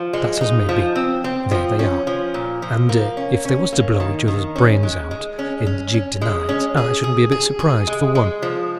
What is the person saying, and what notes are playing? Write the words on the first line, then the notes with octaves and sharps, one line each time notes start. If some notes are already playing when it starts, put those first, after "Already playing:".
That's as may be. There they are; and if they was to blow each other's brains out in the gig to-night, I shouldn't be a bit surprised for one.
Already playing: F3
G#3
D#4
F3
C4
C4
F3
C#4
F3
A#2
F3
A#3
C#4
C#4
A#3
D#3
D#3
C#4
G#3
G#3
C#4
C#4
C#4
G#3
C#4
G#4
G#4
G#4
G#4
G#3
G#3
F3